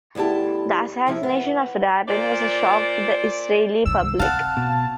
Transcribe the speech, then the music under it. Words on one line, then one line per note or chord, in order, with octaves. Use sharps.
The assassination of Rabin was a shock to the Israeli public.
D2 B3 E4 G4 A5
C3 F3 E4
B3
A#2 C5 D5
C2 D#3 E6
C4 F5 F#5 A5
B2